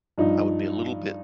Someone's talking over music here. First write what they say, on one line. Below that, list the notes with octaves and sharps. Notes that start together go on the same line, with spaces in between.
I would be a little bit
G2 F3 D#4